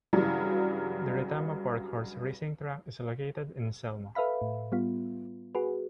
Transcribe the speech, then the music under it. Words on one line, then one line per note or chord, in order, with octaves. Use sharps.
The Retama Park horse racing track is located in Selma.
G2 C#3 E3 F#3 G3
A4 B4 E5 F5 B5
A2
G3 B3 F4
F#4 G#4 B4